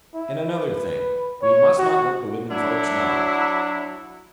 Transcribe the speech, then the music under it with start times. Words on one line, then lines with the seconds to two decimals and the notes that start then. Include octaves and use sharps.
And another thing--we must not let the women folks know.
0.14 E4
0.53 B4
1.42 C#5
1.79 F#4
2.50 F#3 D4 E4